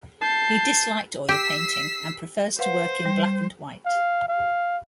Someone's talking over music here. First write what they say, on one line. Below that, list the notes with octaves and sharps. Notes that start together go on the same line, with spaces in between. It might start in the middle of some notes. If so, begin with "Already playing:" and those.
He disliked oil painting and prefers to work in black and white.
A5 G6 C7
G4 E6 B6 C7
B4 C5 F5 F#5
G3
F5
F5